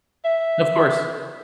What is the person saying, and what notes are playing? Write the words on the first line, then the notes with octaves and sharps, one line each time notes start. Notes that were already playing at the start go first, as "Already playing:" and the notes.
Of course.
E5